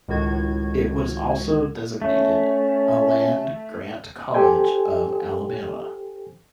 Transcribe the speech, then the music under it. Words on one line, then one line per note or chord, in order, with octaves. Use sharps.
It was also designated a land grant college of Alabama.
C#2 A2 D#3 F#4 G#6
A3 C#4
G4 A4 C5 G5 G#5